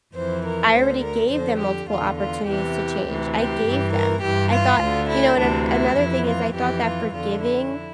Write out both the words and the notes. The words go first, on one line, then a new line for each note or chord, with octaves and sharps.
I already gave them multiple opportunities to change. I gave them. I thought you know, and an another thing is I thought that forgiving
F2 E3 C5
A#4
D2 D3 C5
A#4
F2 D3 C5
G4
E2 D3 F4
F4
E2 C3 E3 G4
D2 C3 E3
G4
G2 E3
A#4
G2 E3 G4
F4
D2 D3
E4
D2 C3 E3 D4
E4
F2 E3
F4
F2 E3 G4
F4
F2 D3 F4
E4